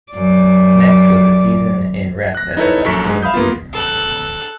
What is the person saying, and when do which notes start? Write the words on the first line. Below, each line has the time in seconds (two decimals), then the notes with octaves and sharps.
Next was a season in rep at the Lyceum Theatre.
0.12 F#2 D5
2.35 F#6 A#6
2.57 D#4 E4 A4 B4 C#5
2.84 A#1 F#2 A4 C#6 B6
3.04 G#2 G#3
3.22 E5 F5 B5 D#6 G6
3.34 A#3 B3 F4
3.73 A4 F#6